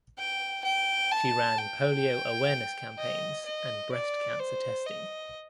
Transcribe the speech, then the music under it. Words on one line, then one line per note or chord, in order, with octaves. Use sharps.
She ran polio awareness campaigns and breast cancer testing.
G5
G5
A5
G5
D#5
D#5
D5
C5
D#5